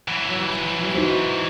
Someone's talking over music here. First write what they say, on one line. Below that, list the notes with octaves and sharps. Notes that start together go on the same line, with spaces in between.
We're after her now.
E3 F#3
D#4 F#4 C5